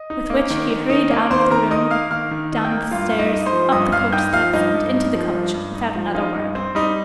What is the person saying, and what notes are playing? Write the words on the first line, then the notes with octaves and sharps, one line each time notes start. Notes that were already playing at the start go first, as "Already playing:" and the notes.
With which he hurried out of the room, down the stairs, up the coachsteps, and into the coach, without another word.
Already playing: D#5 D#6
D#4
A#3
D#3
D#3
D#4
A#3
D#3 C5 C6
D#3 A#4 A#5
D#4 D#5 D#6
A#3 F5 F6
D#3 F5 F6
D#3
D#4
G5 G6
A#3
G2 F4 F5
G2 F5
D#4 D#5
D#4
C5 C6
F3
G2 D#5 D#6
G2 F5 F6
D#4 G5 G6
F3 F5 F6
G2 D#4 D#5
G2
D#4
F3
G2
G2
D#4
F3
D#4 F4 F5
G2 D#4 D#5
C4 C5
G3 D#4 D#5